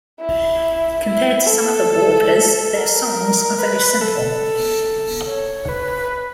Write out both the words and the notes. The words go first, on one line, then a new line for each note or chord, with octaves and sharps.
Compared to some other "warblers", their songs are very simple.
E4
E4
A4
A#4
B4
A4
C#5
B4